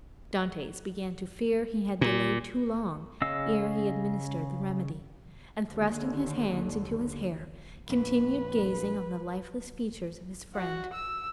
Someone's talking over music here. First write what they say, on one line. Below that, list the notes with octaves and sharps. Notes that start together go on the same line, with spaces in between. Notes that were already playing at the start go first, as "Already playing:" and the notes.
Dantes began to fear he had delayed too long ere he administered the remedy, and, thrusting his hands into his hair, continued gazing on the lifeless features of his friend.
A#2
C#3 C#4 D#5 F5 E6
D#2 D3
A#1 F2 B4
F#4
E6